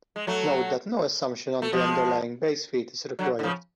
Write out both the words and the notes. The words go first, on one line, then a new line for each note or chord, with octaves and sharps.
Note that no assumption on the underlying base field is required.
G#3
F#3 A3
A3
F3 G#3
D3 F#3
D3
C#3 F3